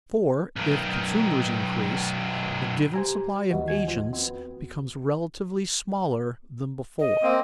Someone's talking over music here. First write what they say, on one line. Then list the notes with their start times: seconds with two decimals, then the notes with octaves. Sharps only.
For, if consumers increase, a given supply of agents becomes relatively smaller than before.
0.56 B1 D#3
2.93 G4 C5 G#5 A#5
3.51 D#2 E3 G3 F#4 D#5
3.68 G#5
3.88 F3 D#5
4.13 B3 C4
6.99 D#5
7.23 A#3 C4